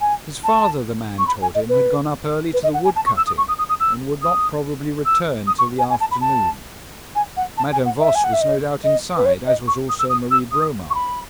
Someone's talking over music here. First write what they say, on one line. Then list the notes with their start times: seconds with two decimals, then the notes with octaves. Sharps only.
His father, the man told him, had gone up early to the wood-cutting, and would not probably return till the afternoon. Madame Voss was no doubt inside, as was also Marie Bromar.
0.01 G#5
0.44 A5
1.18 C#6
1.27 B5
1.41 G#5
1.55 D#5
1.69 B4
2.54 B4
2.63 D#5
2.74 F#5
2.84 G#5
2.96 A5
3.06 C#6
3.17 E6
3.27 D#6
3.38 C#6
3.48 D#6
3.58 D#6
3.69 D#6
3.80 E6
4.22 D#6
5.05 E6
5.47 D#6
5.58 C#6
5.78 G#5
5.90 G#5
6.00 A5
6.11 B5
6.21 A5
7.15 G#5
7.37 F#5
7.57 A5
7.72 G#5
7.85 F#5
8.00 E5
8.15 G#5
8.24 F#5
8.33 E5
8.41 D#5
8.84 D#5
9.17 B4
9.25 C#5
9.47 D#5
9.67 C#6
9.89 D#6
9.99 E6
10.09 D#6
10.31 E6
10.52 D#6
10.90 C#6
10.95 B5